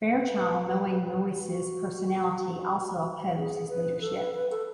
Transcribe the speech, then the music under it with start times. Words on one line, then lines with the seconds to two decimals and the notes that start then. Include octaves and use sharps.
Fairchild, knowing Noyce's personality, also opposed his leadership.
0.10 B4
1.40 F#4
3.37 G#4
3.69 B4
4.01 A4
4.18 B4
4.34 B4
4.51 A4